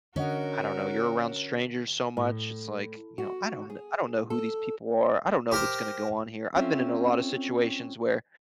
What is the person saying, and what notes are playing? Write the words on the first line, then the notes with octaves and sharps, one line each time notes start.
I don't know, you're around strangers so much. It's like, you know, "I don't know I don't know who these people are. I don't know what's gonna go on here." I've been in a lotta situations where
D3 C#4 F#4 A#4 D#5 F#5
A2
F#4
G#4
A4
G4 A#4 C5
C4 C#4 F4 A4 E5